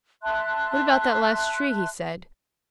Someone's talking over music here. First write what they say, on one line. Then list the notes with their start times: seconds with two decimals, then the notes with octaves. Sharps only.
"What about that last tree?" he said.
0.23 E5 A5 C6 F#6